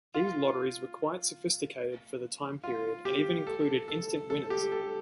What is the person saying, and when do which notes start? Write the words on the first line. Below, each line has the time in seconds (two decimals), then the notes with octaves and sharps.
These lotteries were quite sophisticated for the time period and even included instant winners.
0.14 F4
2.64 F4
3.05 G4
3.47 A4
3.88 A4
4.30 A4
4.50 G4
4.72 A4